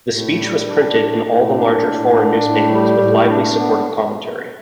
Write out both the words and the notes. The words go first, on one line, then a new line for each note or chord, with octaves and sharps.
The speech was printed in all the larger foreign newspapers with lively supportive commentary.
A2
G3
D4
A2
A2
D4
A2
D4
A2
G3
A2
D4
B3